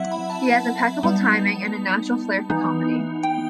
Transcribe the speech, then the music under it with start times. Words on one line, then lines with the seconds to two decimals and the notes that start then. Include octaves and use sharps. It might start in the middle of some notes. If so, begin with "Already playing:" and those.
He has impeccable timing and a natural flair for comedy.
Already playing: F#3 C4 E4 E5 F#5
0.12 B5
0.30 A5
1.03 G3 B3 D#4
2.50 E3 B3 D#4
3.23 G5